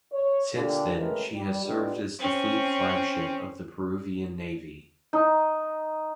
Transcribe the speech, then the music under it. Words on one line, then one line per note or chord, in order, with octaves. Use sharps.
Since then, she has served as the fleet flagship of the Peruvian Navy.
C#5
A#2 D3 G4
C#3 G#3 A3 G4 A#4 B4
G3
G3 G#3 B3 D4 F4 G4
C4 C#4
D#4